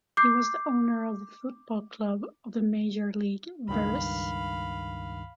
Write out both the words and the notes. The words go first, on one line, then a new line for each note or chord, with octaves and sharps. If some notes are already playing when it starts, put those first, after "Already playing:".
He was the owner of the football club of the major league "Veres".
D6 G6 C7
C#2 G2 D#3 F5 B5